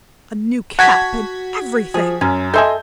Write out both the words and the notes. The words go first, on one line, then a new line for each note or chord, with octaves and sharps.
A new cap, and everything!'
F#4 A5 G#6 B6
F3 G#4
F#2 C#4
A4 D#5 E5 G#5 C6 G6